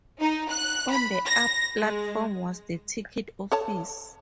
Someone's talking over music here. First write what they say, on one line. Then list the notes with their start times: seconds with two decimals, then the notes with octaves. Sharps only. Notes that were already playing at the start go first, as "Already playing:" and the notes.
On the up platform was the ticket office.
0.20 D#4
0.49 F#6
0.90 B5
1.26 A#6
1.79 G#3
3.52 A4 C#5 A5